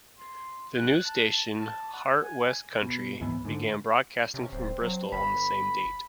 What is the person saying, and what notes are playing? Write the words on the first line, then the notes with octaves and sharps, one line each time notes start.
The new station, "Heart West Country", began broadcasting from Bristol on the same date.
C6
F#6
A5
A5
F#5
G#5
B2
C#2 G#2 E3 B3
G#2 D3
C3 C#4
D1 C4
F#3
G1 B5